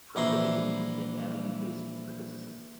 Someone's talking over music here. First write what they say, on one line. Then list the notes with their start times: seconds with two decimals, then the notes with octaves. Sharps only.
From the beginning, the airline faced criticism.
0.16 A#1 E3 D4 E4 A#5 C6